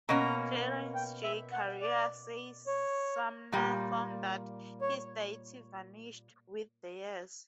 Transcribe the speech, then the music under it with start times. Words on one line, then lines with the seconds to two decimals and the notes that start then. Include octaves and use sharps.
Clarence J. Karier says, Sumner found that his deity vanished with the years.
0.09 B2 A#3 C#4 A#5
0.95 G5
1.24 E5
1.53 F#5
1.81 D5
2.67 C#5
3.52 A#2 G3 A#3
4.81 C#5